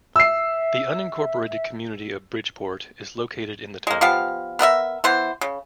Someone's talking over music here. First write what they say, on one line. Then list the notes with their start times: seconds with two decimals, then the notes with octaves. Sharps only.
The unincorporated community of Bridgeport is located in the town.
0.16 E5 E6 C7
3.87 G#3 A#3
4.01 F3 B3 G4 F5
4.59 B3 A#4 D#5 E5
5.04 E3 B3 C5
5.41 C#3